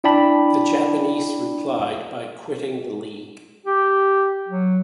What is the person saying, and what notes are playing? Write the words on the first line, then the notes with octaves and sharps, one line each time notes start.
The Japanese replied by quitting the League.
D4 E4 D5 G5 A5 B5
G4
F#3